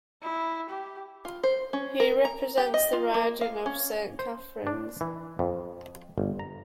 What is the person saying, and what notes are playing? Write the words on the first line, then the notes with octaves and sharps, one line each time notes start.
He represents the riding of Saint Catharines.
E4
G4
F4
C5
C#4
A#4
A#5
G4
D#5
F4
A#3
F5
C#4
C5
D4
E3
F2
G1
A#5